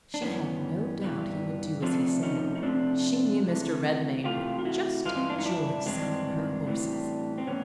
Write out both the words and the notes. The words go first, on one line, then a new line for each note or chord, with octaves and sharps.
She had no doubt he would do as he said; she knew Mr. Redmain would just enjoy selling her horses.
D4
G2 E3 G3 B3 C#4
G2 E3 G3
C3 F3 A3 C4 D4
C#4 D#4
D#4
C3 F3 A3 C4 D4
C3 E3 A3
C3 E3 A3 F4 G4
F4
E4 F#4
G2 E3 G#3 F4
D4
D#4
D4 E4
G2 E3 G#3 C4 D4
A2 E3 G3
C4
A2 E3 B3 C#4